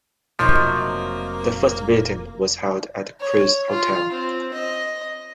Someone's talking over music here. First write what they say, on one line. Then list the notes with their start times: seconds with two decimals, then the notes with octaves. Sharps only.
The first meeting was held at Craig's Hotel.
0.39 F1 C3 F3 F#3 A#3 D#4
3.21 C#5
3.69 F4
4.12 C4
4.54 D#5